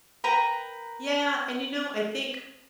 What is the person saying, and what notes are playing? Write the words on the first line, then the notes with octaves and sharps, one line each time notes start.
Yeah, and, you know, I think,
A#4 B4 G5 A#5